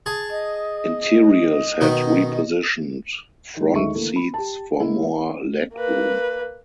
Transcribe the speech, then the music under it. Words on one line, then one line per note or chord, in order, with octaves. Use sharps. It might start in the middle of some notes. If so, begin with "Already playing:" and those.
Interiors had repositioned front seats for more legroom.
G#4 A5
D#5
B2 D#3 D#4
D#3 G#3
D2 D#3 G#3 E5 C#6
D3 E3 A3 A#3
B5
G4 A5
G#3 A#3 E4
A#3 B4